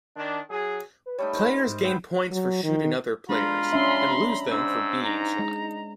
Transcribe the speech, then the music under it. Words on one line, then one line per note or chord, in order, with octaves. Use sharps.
Players gain points for shooting other players, and lose them for being shot.
D#3 D4
F#3 G#4
B4
G3 A3 D#4 C#5
D#4 A#4 C5
G#2
B3 E5 G5
F#3
D#3
G#3 D4 F4 A#5 B5
C#4 D4 E5 C6
G#2 D4 C5 E6
D#4 A#5
G#3